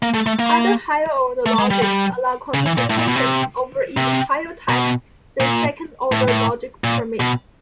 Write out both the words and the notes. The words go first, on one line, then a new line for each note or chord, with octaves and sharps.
Other higher-order logics allow quantification over even higher types than second-order logic permits.
A#3
A3
A3
A#3
A3
G#3
G3
G3
C#3
E3
A#2
A2
A#2
B2
C3
C3
B2
A#2
A2
A2
A#2
B2